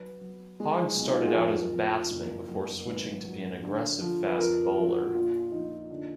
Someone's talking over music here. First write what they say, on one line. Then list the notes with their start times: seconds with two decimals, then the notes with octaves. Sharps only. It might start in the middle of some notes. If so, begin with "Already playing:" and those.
Hogg started out as a batsman before switching to be an aggressive fast bowler.
Already playing: F#3 B4
0.21 F#3
0.60 G#3
0.97 B1
1.06 D#4
1.13 F4
1.20 F#4
1.28 G#4
1.35 F2 A#4
1.73 F2
2.11 F#1
2.49 F#3
2.76 A#4
2.87 G#1 B4
3.25 F#3
3.63 D3
4.01 F3
4.26 B4
4.38 F2 A#4
4.64 A#4
4.77 F3
4.89 F#4
5.14 A#1 F4
5.52 A#1 D#4
5.90 D3